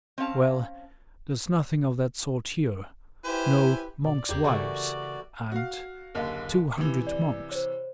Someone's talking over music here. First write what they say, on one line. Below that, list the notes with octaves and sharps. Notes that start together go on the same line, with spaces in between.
Well, there's nothing of that sort here, no 'monks' wives,' and two hundred monks.
C4 C#4 F5 A5
E4 G4 B4 C5 G#5
B2 D5
E2 G3 A#3 G4
C#3 E3 A3 A#3 F#4 D5
F#4 F5
F#1 D#2 D3 A#4 D#5 F5
C3 E3
D5
C5 C#5